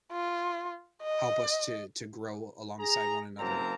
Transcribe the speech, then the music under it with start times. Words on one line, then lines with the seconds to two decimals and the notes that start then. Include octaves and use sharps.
help us to to grow alongside one another,
0.13 F4
1.02 D#5
2.80 G#4 A#5
3.39 F#1 F#3 A#3 C4 A5 A#5